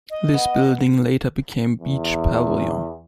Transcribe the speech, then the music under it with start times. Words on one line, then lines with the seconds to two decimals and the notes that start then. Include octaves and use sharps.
This building later became Beach Pavilion.
0.11 D#5
0.34 B3
1.81 E2